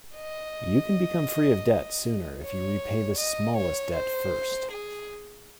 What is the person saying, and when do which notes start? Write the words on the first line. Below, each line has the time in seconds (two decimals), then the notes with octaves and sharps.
You can become free of debt sooner if you repay the smallest debt first.
0.15 D#5
2.43 C#5
3.19 D#5
3.57 C#5
3.95 C5
4.71 G#4